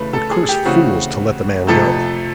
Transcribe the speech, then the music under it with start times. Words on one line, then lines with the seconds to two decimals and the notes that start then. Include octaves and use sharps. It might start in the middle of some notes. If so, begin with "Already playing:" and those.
'What cursed fools to let the man go!
Already playing: C#3 E3 A3 B4
0.13 A4
0.31 G#4
0.48 G4
0.65 C#3 E3 A3 C4 F#4
1.67 F2 C3 F3 A3 A4